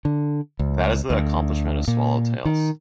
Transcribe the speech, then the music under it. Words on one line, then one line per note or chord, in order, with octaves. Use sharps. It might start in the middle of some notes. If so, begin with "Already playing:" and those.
That is the accomplishment of "Swallow Tales".
D3
C#2
D2
A#2
D#3